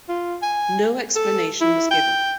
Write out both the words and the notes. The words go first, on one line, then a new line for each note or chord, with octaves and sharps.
No explanation was given.
F4
G#5
A4
E4
G5